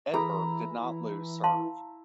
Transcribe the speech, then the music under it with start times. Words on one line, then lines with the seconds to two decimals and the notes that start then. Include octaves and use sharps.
Edberg did not lose serve.
0.14 E3 E4 G#4 A4 A#5
1.44 F5 A5 C6